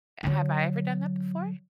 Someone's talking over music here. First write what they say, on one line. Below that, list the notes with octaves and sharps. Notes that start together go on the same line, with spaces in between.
Have I ever done that before?
D3 F#3